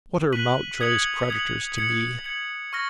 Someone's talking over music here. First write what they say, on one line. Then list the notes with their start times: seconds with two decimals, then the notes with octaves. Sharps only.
What are Mountjoy's creditors to me?
0.32 F#6 B6 D#7 F#7
0.81 D#6 G#6 C#7 F#7
1.28 D#6 G#6 C#7 F#7
1.77 G#6 C#7 F#7
2.24 G#6 C#7 F#7
2.73 C#6 F6 A#6